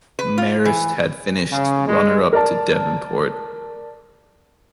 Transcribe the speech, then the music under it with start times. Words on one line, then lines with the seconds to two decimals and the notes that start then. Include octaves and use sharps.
Marist had finished runner up to Devonport.
0.19 B4
0.38 F4
0.65 E3
1.52 C#3
1.87 G#3
2.33 A#4 D5 A5